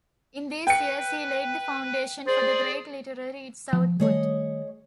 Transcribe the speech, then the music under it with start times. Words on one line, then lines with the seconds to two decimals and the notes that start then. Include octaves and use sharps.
In these years he laid the foundation for the great literary its output.
0.67 B4 G5 C#7
2.27 G#4 C5 D5
3.73 F3
4.00 D#3 G3 A3 G#4 C#5 D#5